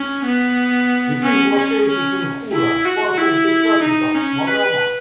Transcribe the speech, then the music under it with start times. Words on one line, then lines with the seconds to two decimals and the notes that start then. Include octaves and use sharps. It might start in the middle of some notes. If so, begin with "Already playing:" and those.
It is located in Hoora, part of the capital, Manama.
Already playing: C#4
0.26 B3
1.23 C#4
1.55 C#4
1.88 C#4
2.53 E4
2.85 F#4
3.18 E4
3.82 D#4
4.15 C#4
4.47 B4